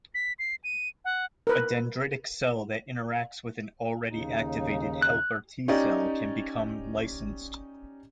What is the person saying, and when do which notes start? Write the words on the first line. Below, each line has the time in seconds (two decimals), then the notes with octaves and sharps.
A dendritic cell that interacts with an already-activated helper T cell can become licensed.
0.15 B6
0.39 C7
0.64 D#7
1.05 F#5
1.47 A#4 B4
4.10 D#2 C#3 D#4
5.02 F#6
5.68 C#4 D#4 G4 D5 D#5